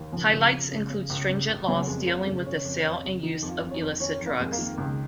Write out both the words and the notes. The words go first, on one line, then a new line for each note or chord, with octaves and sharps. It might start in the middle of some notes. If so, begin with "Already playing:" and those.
Highlights include stringent laws dealing with the sale and use of illicit drugs.
Already playing: D#2
C#2 F3
C#3
C#3
C#3
C#3
C#2
C#3
C#2
C#3 F#3
F2 G#3
G#3
F2 A#3
C#3 G#3
C#3 C#4
F2
F2
C#3
D#3 D#4
F2
F4
F2
C#4
D#4
F2
D#3 C#4
F2
A#3
F2 G#3
A#3
D#3
C#2 G#3